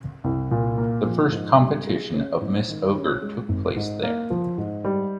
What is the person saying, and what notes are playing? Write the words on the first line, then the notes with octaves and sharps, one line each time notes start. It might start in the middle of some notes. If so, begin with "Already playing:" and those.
The first competition of "Miss Ogre" took place there.
C2
A#2
A#3
F3
G#2
G3
G#4
C#4
G#2
D#3
C#4
G#3
G#1
G#2
A#3
F3
G#2
G3